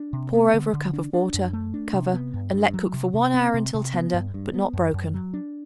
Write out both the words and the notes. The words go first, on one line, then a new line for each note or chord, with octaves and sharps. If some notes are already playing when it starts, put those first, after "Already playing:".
Pour over a cup of water; cover and let cook for one hour until tender but not broken.
Already playing: D4
C3
B3
D3
D3
D4
D4
F#2
A3
D4
C3
B3
G2
G2
F#3
C3
C3
C4
C3
C3
B3
G2
G2
B3
F#2
F#2
F#3
D4